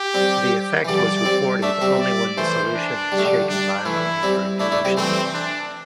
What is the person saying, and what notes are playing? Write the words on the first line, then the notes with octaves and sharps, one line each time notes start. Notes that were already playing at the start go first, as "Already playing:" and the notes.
The effect was reported only when the solution was shaken violently during dilution.
Already playing: G4
G3 C4
E3
D3 G3 D5
G3 C4
A3 D4 E5
G3 C4
D5
E3 A3 C5
D4
G3
A3
D3 G3
D4
E3 A3 E4
G3 C4
A3 D4 E4
A3 D4
G3 C4
E3 A3 C4
D4